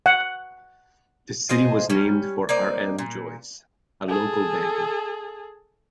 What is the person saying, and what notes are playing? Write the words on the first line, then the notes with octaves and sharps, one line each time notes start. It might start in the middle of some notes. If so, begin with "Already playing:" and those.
The city was named for R. M. Joice, a local banker.
F#5
F4 G#4 C5 D#5
G3 C#4
A#3 C4 D5 D#5
A#2
G#4 A4